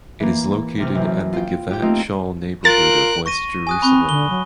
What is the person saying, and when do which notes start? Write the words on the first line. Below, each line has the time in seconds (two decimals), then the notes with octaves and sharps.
It is located at the Givat Shaul neighborhood of West Jerusalem.
0.20 E3 A#3
0.78 D2 C3 F6
0.95 F#2 E3
1.33 F4 G5
1.70 G4 G5
1.83 A3 A#3 C4 D#4 F4
2.65 F4 A#4 F#6 A6 D7
3.26 C#6 A#6 D#7
3.67 G4 G#5 D#6 F#6
3.82 C4 B5 C#6 F#6
4.09 D3 G7
4.29 F#3